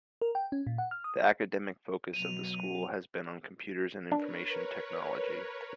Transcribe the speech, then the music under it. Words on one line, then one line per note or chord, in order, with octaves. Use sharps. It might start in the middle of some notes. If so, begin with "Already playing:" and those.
The academic focus of the school has been on computers and information technology.
A#4
G5
C#4
A#2
F#5
F6
D#6
B2 F#3 D#7 F7
D4 A#4 B4 C#5